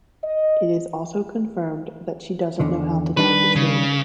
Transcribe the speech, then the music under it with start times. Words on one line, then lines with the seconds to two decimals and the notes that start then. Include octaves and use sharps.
It is also confirmed that she doesn't know how to tell the truth.
0.24 D#5
2.59 E2 D3 D#3
3.17 D#3 G3 D4 B4
3.56 C#3